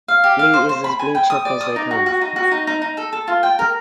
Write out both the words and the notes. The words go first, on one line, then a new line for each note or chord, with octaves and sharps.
Lee is as blue chip as they come.
F5
G4
F5
C5
C5
B5
G#5
G5
D#6
D5
D#6
D#4
F#4
F#4
D#4
F#4
D#4
D#4
D#4
A4
A4
F4
G5
A#4